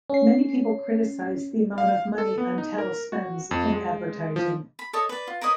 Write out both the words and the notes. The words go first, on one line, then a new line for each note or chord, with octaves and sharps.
Many people criticize the amount of money Antel spends in advertising.
C#4 C7
F5
A4
B3
D#4
A#4
F#4
F2
G#3
F3
B5
A4 C#5 D#5 C#6
B4 D5
F4
A#4 B4 C#5 D#5